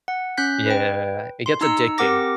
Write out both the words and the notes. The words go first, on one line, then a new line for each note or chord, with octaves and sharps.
Yeah, it gets addicting.
F#5
C#4 F#6 G6 B6
B4 G5
C6
D#4 A#5 E6 C#7
C4 G4 A#4 F#5 D6 A#6